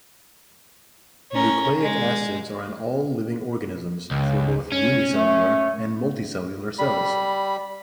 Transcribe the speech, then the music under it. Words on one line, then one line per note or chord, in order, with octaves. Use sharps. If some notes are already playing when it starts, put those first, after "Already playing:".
Nucleic acids are in all living organisms for both unicellular and multi-cellular cells.
C#4 A#4
G#3
C#2
C#4
A3
G3 B5